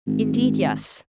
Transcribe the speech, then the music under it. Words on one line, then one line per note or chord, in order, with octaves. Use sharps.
'Indeed, yes.
G#1